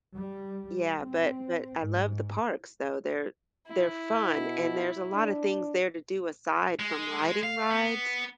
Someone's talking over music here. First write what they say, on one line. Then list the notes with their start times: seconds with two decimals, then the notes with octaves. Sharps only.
Yeah, but but I love the parks, though. They're they're fun, and there's a lotta things there to do aside from riding rides,
0.14 G3
1.02 C4
1.80 G#2
3.67 E4
4.37 B2
5.14 D4
6.79 G#3
7.43 F5
7.70 B3